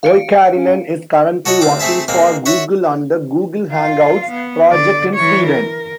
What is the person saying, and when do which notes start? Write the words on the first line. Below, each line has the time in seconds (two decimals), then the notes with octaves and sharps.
Oikarinen is currently working for Google on the Google Hangouts project in Sweden.
0.03 F5 C#7 D7
0.54 C#4
1.45 F#4 A4 C#5 D#5 F#5
1.61 D2 C4 D6
1.79 A3 C4 G#4 E5 A5
2.08 G#3 A#3 C4
2.45 F#4 C#5 E5 F#5 C#6
3.73 F4 F5
4.31 B3
4.71 D3 D5
5.15 E3 C#5
5.47 A#4